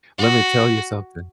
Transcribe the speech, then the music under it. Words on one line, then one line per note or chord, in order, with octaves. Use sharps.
Let me tell you something."
F#4